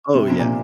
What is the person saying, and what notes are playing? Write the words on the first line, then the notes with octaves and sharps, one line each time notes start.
Oh yeah.
C3
C3
A#2